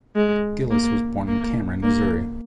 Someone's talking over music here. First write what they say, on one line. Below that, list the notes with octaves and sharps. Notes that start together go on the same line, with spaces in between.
Gillis was born in Cameron, Missouri.
G#3
A#3
A#3
A#3